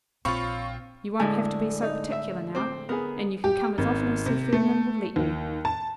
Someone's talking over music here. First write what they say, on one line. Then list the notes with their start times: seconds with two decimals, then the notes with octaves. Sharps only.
'You won't have to be so particular now, and you can come as often as Sir Ferdinand will let you.
0.25 A#1 C4 F4 C#5 F5 B5 C#6
1.20 A2 D3 G#3 G#5
1.82 D#4
2.12 E5
2.55 C4 C5 D6
2.89 B3 G#4 A#4
3.44 G4
3.78 G#1
4.26 C3
4.53 A3
5.16 D#2
5.65 A5